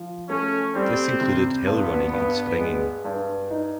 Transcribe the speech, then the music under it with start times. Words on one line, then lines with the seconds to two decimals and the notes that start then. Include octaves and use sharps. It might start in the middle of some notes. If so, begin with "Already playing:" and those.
This included hill running and springing.
Already playing: F3
0.29 A3 C#4
0.75 G3 C4
1.21 C3
1.67 G2 B3
2.13 G2
2.59 G#3
3.05 G2
3.51 D#4